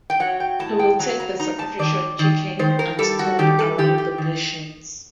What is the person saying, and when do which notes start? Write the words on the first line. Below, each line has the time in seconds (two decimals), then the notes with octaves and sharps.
He will take the sacrificial chicken and stomp around the patient.
0.10 G5
0.20 F#3 F#5
0.40 G5
0.59 A2 A5
0.79 G5
0.99 F#3 A#5
1.20 A#5
1.40 D#4 A#5
1.59 A5
1.79 D#3 D5
2.19 D#3
2.59 D#3 C5
2.79 A#4
2.99 G3 A4
3.19 F#4
3.39 D#3 G4
3.59 A4
3.78 D#3 G4
3.98 G4
4.18 D#3